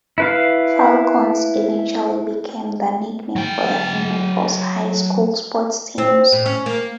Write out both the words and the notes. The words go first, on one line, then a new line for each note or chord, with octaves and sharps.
"Falcons" eventually became the nickname for the Henry Foss High School sports teams.
E4 B4 F5
F#3 G5
C4
A2
C#4
A#3